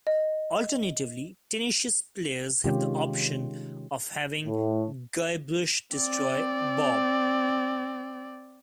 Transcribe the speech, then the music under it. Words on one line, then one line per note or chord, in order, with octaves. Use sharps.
Alternatively, tenacious players have the option of having Guybrush destroy Bob.
D#5
C3 D#3 G#3 C#4 F4 G4
A2
C4 D5